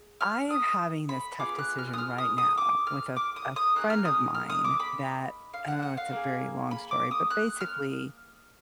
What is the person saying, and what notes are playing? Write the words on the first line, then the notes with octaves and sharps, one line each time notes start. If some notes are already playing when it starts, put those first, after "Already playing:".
I'm having this tough decision right now with a a friend of mine that Oh, it's a very long story, but, basically,
Already playing: G#4
F6
D#6
B5
B3 F4 G#4 D6
F#6
F6
D#6
F6
D#6
D#6
D6
F6
D6
D#6
D#6
A#3 D#4 G#4 F#6
F6
D#6
F6
D#6
D6
B5
F5
F#5
F#5
F5
A#3 F4 G#4
B5
D6
D#6
F#6
F6